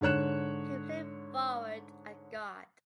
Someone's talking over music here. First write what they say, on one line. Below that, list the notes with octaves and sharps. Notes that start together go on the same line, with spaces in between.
He played forward and guard.
G#2 D3 C#5 F#6 E7